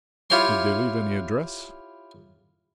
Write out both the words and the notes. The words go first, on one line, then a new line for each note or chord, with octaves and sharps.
"Did they leave any address?"
E4 F4 G4 C#5 G5 C6